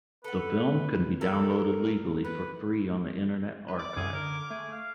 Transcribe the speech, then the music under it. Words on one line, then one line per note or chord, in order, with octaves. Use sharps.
The film can be downloaded legally for free on the Internet Archive.
A4 B4 F#5
A2 G3 A4 A#4
B3 B4
B4
D5 D6
F#2 G#4
D3 A#4
A3 G#4
F5